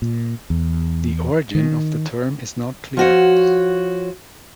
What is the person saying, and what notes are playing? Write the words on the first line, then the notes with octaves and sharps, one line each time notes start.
The origin of the term is not clear.
A#2
E2
D#3
F3 F#4 C#5